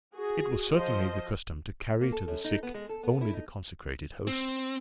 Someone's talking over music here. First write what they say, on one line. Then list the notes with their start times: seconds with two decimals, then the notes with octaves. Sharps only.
It was certainly the custom to carry to the sick only the consecrated Host.
0.16 F#4 G#4
0.73 F3 C5 D#5
2.01 A#3
2.12 A4
2.28 F#2
2.44 D#4
2.63 B3
2.74 G#3
2.89 A4
3.03 B3
3.21 E4
3.33 D#4
4.27 C4